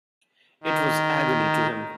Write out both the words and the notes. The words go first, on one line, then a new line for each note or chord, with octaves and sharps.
It was agony to him.
D#3